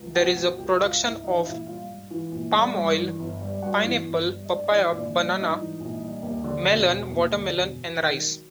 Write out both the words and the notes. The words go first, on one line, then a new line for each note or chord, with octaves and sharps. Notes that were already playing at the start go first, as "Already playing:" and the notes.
There is a production of palm oil, pineapple, papaya, banana, melon, watermelon and rice.
Already playing: C#2
B2 F#4 F#5
F#3 F#4 F#5
C#2 G4 G5
E5
C#2 F4 F5
G#2 E4 E5
E3 D#4 D#5
F5
A#1 E4 E5
G3 F4 F5
G#2
E3
A#1
G3
G2
E3
G1
G3
G2 F#4 F#5
E3
G1
G3
D#5
G#2 D4 D5
D5
E3 C#4 C#5
A#1 D4 D5
G3 D4 D5
G#2 D#4 D#5
E3
A#1
G3
D#2
D3
E1
E1
D#2
D3
E1
E1
D#3
F#3